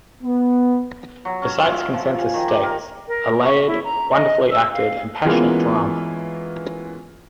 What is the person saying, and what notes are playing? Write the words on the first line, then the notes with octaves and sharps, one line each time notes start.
The site's consensus states: A layered, wonderfully-acted, and passionate drama.
B3
F#3
C#4
F4
E5
F3
G#5
D#3
G4
A#4
A#4
C#6
E4
A#5
D#5
E6
F5
E3 G#3 A#3 B3 C#4 F4